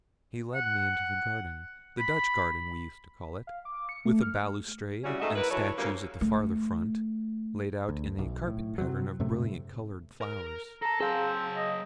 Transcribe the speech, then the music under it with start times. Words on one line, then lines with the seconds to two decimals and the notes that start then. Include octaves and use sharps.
He led me into the garden--the Dutch garden, we used to call it--with a balustrade, and statues at the farther front, laid out in a carpet-pattern of brilliantly-coloured flowers.
0.54 F#5
1.99 B5
3.47 F5
3.65 D6
3.89 C#7
4.05 A3
4.22 F6
5.04 C#3 G3 C#4 E4 F#4
5.20 G#2 A3 F#4 D#5 E5
5.35 E4 A#4 B4
5.51 E3 F#3 A4 C#5
5.78 D2 G2 A#3 C#4
6.21 A3
7.89 D2
8.19 B1
8.47 A2
8.78 C3 F#3
9.20 F#2 A2 C3 A3
10.21 A#4
10.82 A4 A5 A#5
11.00 F#3 C4 G#4 F5 A5
11.56 D#5